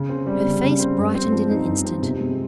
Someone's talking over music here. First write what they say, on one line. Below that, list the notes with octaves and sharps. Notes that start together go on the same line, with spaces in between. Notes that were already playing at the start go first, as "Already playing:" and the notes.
Her face brightened in an instant.
Already playing: C#3
C4
G3
C#3
C#3
C4
G2
C4
F3
D#4
G2
C4
C3
G#3